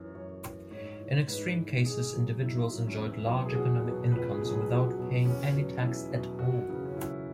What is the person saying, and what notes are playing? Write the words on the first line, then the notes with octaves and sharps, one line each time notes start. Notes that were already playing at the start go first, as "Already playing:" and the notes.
In extreme cases, individuals enjoyed large economic incomes without paying any tax at all.
Already playing: F#2 E3 C#5
F#2 C#5
E3
G#2 C#5
E3
G#2 B4
E3
G#2 G#4
F#3
G#2 E4
F#3
C#4
E2 E4
B2 F#3
G#4
E2 F#4
B2 F#3
C#2 B4
G#4
B2 F#3
G#4
C#2 F#4
B2 F#3
E2 C#4
B2 F#3
E2 E4
B2 F#3
F#2 F#4
C#3 E3
C#4
F#2 E4